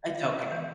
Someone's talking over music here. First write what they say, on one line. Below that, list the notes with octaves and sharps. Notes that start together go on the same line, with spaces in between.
It's okay.
E3